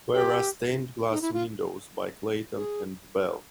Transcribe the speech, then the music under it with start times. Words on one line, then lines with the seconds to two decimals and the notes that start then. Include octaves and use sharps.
There are stained glass windows by Clayton and Bell.
0.13 G4
1.11 D#4
1.21 E4
1.33 F4
2.55 G#4